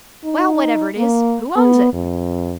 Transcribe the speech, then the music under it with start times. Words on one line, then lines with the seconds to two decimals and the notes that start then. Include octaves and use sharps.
"Well, whatever it is, who owns it?"
0.24 D#4
0.97 A#3
1.57 B3
1.93 F2